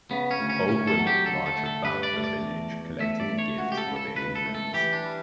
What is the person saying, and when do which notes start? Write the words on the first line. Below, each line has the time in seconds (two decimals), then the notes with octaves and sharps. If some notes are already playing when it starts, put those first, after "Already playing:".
Old women march about the village collecting gifts for the infants.
0.11 C#3 B3
0.31 C#4
0.39 D2
0.49 C#4
0.68 A2 C#4
0.87 A4
0.98 F#3
1.07 G4
1.26 D3 A4
1.46 A4
1.56 A3
1.66 A4
1.84 G2 B4
2.03 D5
2.13 A3
2.24 D5
2.42 E2
2.72 E2
2.99 A3 E5
3.20 D5
3.29 A3
3.39 C#5
3.58 C#2 F#4
3.72 G4
3.77 A4
3.87 C#3
3.96 A4
4.15 C#2 B4
4.35 A4
4.45 A3
4.55 A4
4.73 E3 G4
4.93 D4
5.03 G3